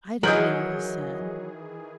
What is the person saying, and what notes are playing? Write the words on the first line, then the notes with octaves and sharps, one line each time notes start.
"I don't know," he said.
D#3 E3 F#3 G#4 A#4 D#5 G6 F#7